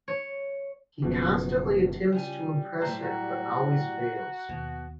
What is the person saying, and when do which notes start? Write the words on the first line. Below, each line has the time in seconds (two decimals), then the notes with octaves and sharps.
He constantly attempts to impress her but always fails.
0.08 C#5
1.02 F#1 B2 F3
2.12 C#3 G3 F4 G#5
2.82 A2 F#3 A3 C5 A#5
3.02 F#4
4.49 D#2 B2